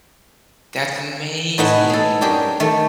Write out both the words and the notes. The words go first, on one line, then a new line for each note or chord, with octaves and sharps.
That's amazing.
A2 D#4 B4 F#5 G#5
G#4 A4
C#4 D4 G4 G#4 A#4
D#3 A3